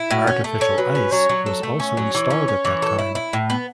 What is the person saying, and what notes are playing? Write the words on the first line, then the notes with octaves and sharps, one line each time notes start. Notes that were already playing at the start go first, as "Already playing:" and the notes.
Artificial ice was also installed at that time.
Already playing: E4
A2 F#4
C#4
A3 A4
C#4
F#3 B4
C#4
F#3 C#5
F#3
A4
A3
C#4 C#5
F#3
E3
C#4
C#4
E3
A4
E4
E4
A2
B3